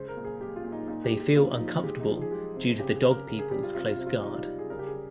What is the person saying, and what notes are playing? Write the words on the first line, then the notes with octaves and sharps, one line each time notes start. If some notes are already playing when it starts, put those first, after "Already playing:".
They feel uncomfortable due to the Dog people's close guard.
Already playing: C#3 G#3 C5
A#4
A#2
G#4
G#3 G4
F4
A#2
D#4
A#2 D#4
G4
G#3
G4
A#2 F4
D#4
F3
F4
G#3 G4
D#4
F3
G#4
G#3 G4
C3
C#3 G4
G#4
C#3
A#4
C#3 A#4
G#4
G3 G4
F4
C3 F4
F4
C3
F4
G3 D#4
F4
G3
G#4
C#3 A#4
G4
G#4
G3